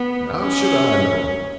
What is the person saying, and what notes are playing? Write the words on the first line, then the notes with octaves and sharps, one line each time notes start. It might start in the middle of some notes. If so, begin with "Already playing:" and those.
'How should I know?
Already playing: B3
C#4